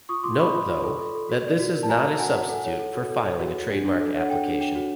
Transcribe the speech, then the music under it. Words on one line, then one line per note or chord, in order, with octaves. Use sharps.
Note, though, that this is not a substitute for filing a trademark application.
F4 C#6 D#6
F4 C6 D6
D5 B5 C#6
F4
F4
A4
A4
A4
F#4
D5
F#4
A#4
A5
F#4 G#5 A#5
F#4
F#4 F#5 G#5
F#4
A4 F#5
C#5
A4
F#4
A4
C#5
F#4
F#4
D4
D4
A4
C#5
F#5
A4 G5
D4
D4 G5
F#4